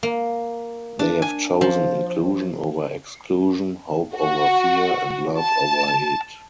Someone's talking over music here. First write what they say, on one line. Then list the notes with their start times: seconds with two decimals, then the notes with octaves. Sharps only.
They have chosen inclusion over exclusion, hope over fear and love over hate.
0.03 A#3
0.99 D4
1.22 G#5
1.61 F3
4.17 F#4
5.39 A5